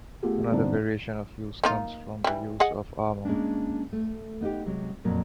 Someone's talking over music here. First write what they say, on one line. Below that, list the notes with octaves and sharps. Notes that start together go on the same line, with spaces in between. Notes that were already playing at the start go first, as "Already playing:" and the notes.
Another variation of use comes from the use of armour.
A3 B3 F4 G4 G#4
G2 B2 D3 C4 D4 D#4
A#3 D#4 F4
E3 G3
G#4 D#5 F#5
G#3 A#3 C#4 D4
A3
B3 D#4 F4 G4
C3 F#3 G#3
F2 A#2 F#3 A#3 A#4